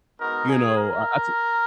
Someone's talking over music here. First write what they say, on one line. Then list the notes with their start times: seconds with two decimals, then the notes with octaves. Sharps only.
you know, I I took
0.20 G#3 B3 D#4 F#4 A#4
0.49 G#4
0.77 A#4